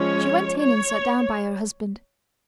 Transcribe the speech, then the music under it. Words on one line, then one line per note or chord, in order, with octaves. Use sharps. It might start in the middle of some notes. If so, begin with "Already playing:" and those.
She went in and sat down by her husband.
Already playing: F3 G#3 C#4 C#5
C#5